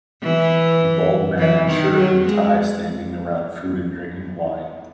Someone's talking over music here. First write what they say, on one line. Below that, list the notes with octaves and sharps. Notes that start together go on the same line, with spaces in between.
Bald man in a shirt an tie standing around food and drinking wine.
E3
E3
D#3
F#3
G#3